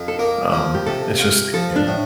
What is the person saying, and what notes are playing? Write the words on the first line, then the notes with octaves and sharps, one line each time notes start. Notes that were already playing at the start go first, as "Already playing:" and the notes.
um, and it's just i Yeah.
Already playing: F2
A4
A#3 A#4
F3
G4
C3 A4
F4
F3 A4
D4
A2